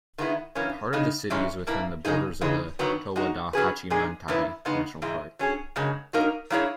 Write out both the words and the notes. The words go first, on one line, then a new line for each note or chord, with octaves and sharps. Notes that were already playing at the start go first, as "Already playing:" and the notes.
Part of the city is within the borders of the Towada-Hachimantai National Park.
D#3 G#3 B3 E4
F#2 E3 A#3 C#4
C#3 G#3 D#4
G#2 E3 G#3 C#4
B2 A#3 E4
C#3 G#3 D#4 G#4
C#3 E3 G#3 D#4
F#2 D#3 F#3 B3
G#3 D#4 F#4
F#3 C#4 G#4 B4
A#2 G#3 D#4 G#4
F#2 E3 B3 E4 B4
C#3 G#3 B3 D#4
G#2 E3 G#3
F#3 C#4 G#4
F#2 C#3 G#3
F#3 A#3 D#4 A#4
F#3 A#3 E4 G#4 C#5